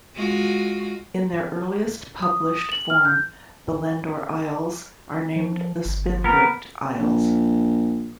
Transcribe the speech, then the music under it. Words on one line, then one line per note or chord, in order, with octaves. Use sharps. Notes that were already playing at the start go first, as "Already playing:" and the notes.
In their earliest published form the Lendore Isles are named the Spindrift Isles.
G#3 F4 F#4
D#6
F#7
F6
G6
F3
G1
B3 A#4
A#1